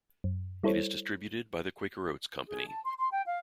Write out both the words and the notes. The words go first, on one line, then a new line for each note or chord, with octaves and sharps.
It is distributed by the Quaker Oats Company.
F#2
G3 E4 A4 C5 C#5
G#4
A5
C6
C6
G5
F5